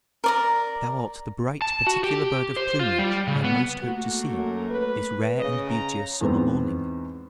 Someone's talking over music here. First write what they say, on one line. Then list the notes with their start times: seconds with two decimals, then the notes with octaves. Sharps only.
Thou art the bright particular bird of plumage I most hoped to see this rare and beauteous summer morning.
0.24 A#4 D5 A#5
1.62 A5
1.87 F#4
2.04 G4
2.56 C5
2.80 F4
2.99 G3
3.28 C#3
3.44 B3
3.83 A3 A#3 F#4
4.33 F#2
4.71 B4
5.40 C#3 D#5
5.70 A#5
6.21 E2 G#2 B3 C4